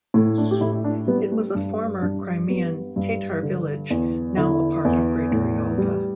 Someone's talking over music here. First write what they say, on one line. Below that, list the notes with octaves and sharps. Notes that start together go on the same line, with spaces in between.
It was a former Crimean Tatar village, now a part of Greater Yalta.
A2 A3
D4
G4
A2 E4
D4
G3 B3
A3
G2 D4
G2 D4
G3 B3
G2
D3
E2
D3 E4
E2
A2
G3